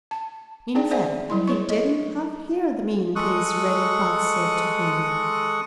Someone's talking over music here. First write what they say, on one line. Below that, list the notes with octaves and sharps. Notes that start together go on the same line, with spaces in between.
In fact, he didn't half hear the mean things Reddy Fox said to him.
A5
C4 D4 D#4 G#4 D5 G5
G#4 C5 D5 E5 F#5 G#5
F#3 G3 E4 C6
G#4 C#5 C#6
D#5
G#3 A4 C#6 D#6 F#6